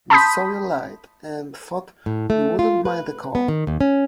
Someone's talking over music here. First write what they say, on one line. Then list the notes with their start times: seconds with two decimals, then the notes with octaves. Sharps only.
We saw your light, and thought you wouldn't mind a call.
0.10 A5 B5 C6 D#6 G6 B6
2.06 A2
2.30 A3
2.59 F4
2.85 B4
3.35 B3
3.48 D#3
3.67 D#2
3.81 C#4